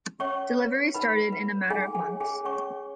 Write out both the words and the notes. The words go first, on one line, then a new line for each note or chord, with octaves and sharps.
Deliveries started in a matter of months.
C#4 C#5 C#6
B4
D#4 B4 B5
B4
D#4 G#4 G#5
G#4 G#5
G#4
C#5
G#4 G#5
C#4 C#5 C#6